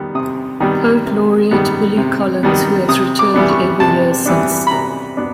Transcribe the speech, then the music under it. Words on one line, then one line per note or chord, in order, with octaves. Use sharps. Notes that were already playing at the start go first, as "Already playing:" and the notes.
Poet Laureate Billy Collins, who has returned every year since.
Already playing: D#3 G3 B3
C3 D#6
D#3 G3 B3
C3
D#3 G3 B3
C3
D#3 G3 B3
C3 D#6
D6
E3 G3 B3 D4
C#6
C3 A5
E3 G3 B3 D4
B5
C3 A#5
B3 D4